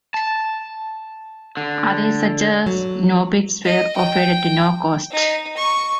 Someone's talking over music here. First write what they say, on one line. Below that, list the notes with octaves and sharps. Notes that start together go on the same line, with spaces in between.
Others, such as Knoppix, were offered at no cost.
A5
D3
F#3
D#5
G5
D#4
C#6